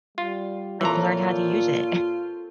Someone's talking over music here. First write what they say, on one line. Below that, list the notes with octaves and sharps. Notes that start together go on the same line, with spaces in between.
Like learn how to use it.
G3 F4
A#2 E3 C4 F4 A4 C#5 A#5